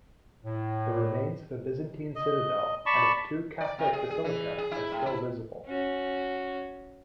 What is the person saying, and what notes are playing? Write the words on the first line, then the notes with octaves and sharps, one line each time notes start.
The remains of a Byzantine citadel and of two Catholic basilicas are still visible.
A2
D#5
D5 A5 B5 C#6
D5
C3
G#4
G#4
E3
G#4
E4
A2
E4
C#4 F#4